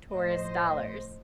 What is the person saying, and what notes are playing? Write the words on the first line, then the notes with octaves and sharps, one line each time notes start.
tourist dollars.
A2 F3 A3 C5 D#5